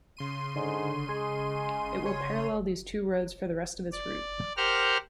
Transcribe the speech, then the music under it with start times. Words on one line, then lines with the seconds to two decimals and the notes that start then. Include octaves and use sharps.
It will parallel these two roads for the rest of its route.
0.17 C#3 C6 D#7
0.56 G#2 D3
1.09 G#3 G#4
2.06 C#5
3.92 D5
4.57 G4 A#4 C5 F#5 F6